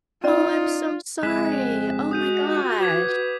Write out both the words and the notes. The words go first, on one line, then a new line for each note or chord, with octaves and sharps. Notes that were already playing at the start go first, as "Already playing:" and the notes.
Oh, I'm so sorry. Oh my gosh.
C#4 D#4 F4 D5
F2 C#3 G#3 C4 F#6 B6 E7
F#4 D#6 G6 D#7
B4 D6 G#6 B6